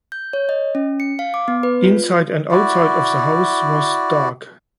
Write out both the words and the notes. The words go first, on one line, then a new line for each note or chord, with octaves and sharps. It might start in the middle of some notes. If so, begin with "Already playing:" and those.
Inside and outside of the house was dark.
G6
C#5
D#5
C#4
C#7
F5
D6
B3
B4
F4
E4 F#4 D5